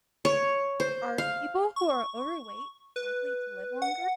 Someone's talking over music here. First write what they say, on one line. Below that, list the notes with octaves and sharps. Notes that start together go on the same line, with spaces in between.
Are people who are overweight likely to live longer?
C#5
C5
F5
C#6
B4
F#5